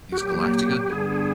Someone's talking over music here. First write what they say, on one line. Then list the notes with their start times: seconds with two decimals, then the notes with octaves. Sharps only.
Is Galactica,
0.12 F#4
0.17 A#2 F#3 A#3 G4
0.89 G2 D3 G3 B3 D4 G#4